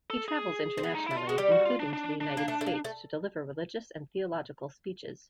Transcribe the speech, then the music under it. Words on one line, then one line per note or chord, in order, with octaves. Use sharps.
He travels internationally, including to the United States to deliver religious and theological speeches.
A4
G#4
C4
B3
D#4
A3 E4
F4
G#3 F#4
G3 G4
F#4
F4
D4
D4
D4
A#3
A3
A3
A#3
A3